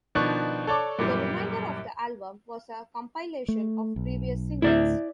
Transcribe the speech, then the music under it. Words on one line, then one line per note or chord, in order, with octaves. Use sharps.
The remainder of the album was a compilation of previous singles.
B2 D#3 F3 D4 C#6 F#6
A4 C#5 D5 A5 C#6 D6
F#2 A#2 E3 G3
A3
B1
D2 A2 E4 D5 E5